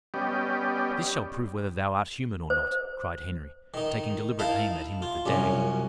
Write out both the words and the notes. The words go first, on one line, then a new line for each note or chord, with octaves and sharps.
"This shall prove whether thou art human or not," cried Henry, taking deliberate aim at him with the dag.
G3 B3 C#4 G4 D5 D#5
C5
D#3 D#4
D#4 E4 F5 A5
F4
C2 F#2 C#4